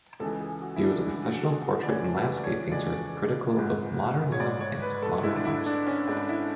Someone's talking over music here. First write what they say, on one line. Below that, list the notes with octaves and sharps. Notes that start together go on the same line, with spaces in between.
He was a professional portrait and landscape painter, critical of modernism and modern art.
C#2 C#3 E3 G#3 A4
G#4
F#4
E4
D4
C#2 C#3 E3 G#3 E4
F#4
A4
G#4
A4
D5
C#2 C#3 E3 G#3 C#5
B4
D5
C#5
C#2 C#3 E3 G#3 D5
G#1 G#2 G#3
C#5
G#1 G#2 G#3 D5
C#5
B4
A4
G#1 G#2 G#3 E4
D4
E4
D4
C#4
G#1 G#2 G#3 D4
E4